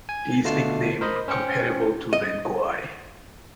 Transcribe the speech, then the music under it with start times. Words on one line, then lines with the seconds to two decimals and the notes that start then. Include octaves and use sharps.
He is nicknamed "Comparable to Rengui".
0.09 G#5
0.44 B2 D3 A3 F4 A5 C7
1.01 A#4 C5 D#5 B5
1.28 C#4 C5 G5 C#7
2.13 D#5